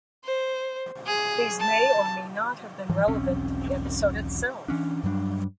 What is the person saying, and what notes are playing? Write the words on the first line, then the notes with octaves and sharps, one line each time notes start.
These may or may not have been relevant to the episode itself.
C5
G#4
A5
G#2 E3 F3
E1 B1 C4 C#4
E3 C#4 D4
G2 F#3 G3 D4